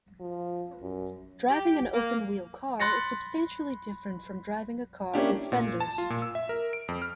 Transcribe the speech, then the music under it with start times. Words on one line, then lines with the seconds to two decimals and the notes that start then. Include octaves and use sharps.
Driving an open-wheel car is substantially different from driving a car with fenders.
0.20 F3
0.82 F#2
1.50 G4
1.94 A#3
2.80 B5 C6 F#6 A6 A#6 C#7
5.14 A#3 C#4 D4 E4 G4
5.52 A#2
5.80 A5
5.98 F4
6.10 A#2
6.22 E6
6.35 E5
6.49 A#4
6.73 D7
6.88 F2
7.02 F6